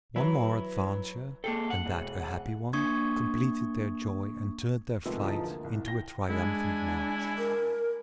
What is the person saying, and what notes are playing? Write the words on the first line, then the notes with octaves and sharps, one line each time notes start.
One more adventure, and that a happy one, completed their joy, and turned their flight into a triumphant march.
F#3 E4 B4
A#3 G#4 A4 G5 A5
F#5
E1
A#3 D4 C#6 D#6 G#6
C3 D#3 F3 G#3 A3 B3
G1 E3 F3 D#4 G#4 A5
D2 A#3
C2
G5 A#6 G7
G#3 D4 E4 G#5
A#4